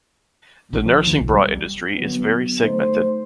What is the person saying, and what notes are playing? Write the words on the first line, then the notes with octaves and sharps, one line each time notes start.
The nursing bra industry is very segmented.
A#1
F3
D#2
C2
G3
D3 F#3 B3
A3 D#4 C5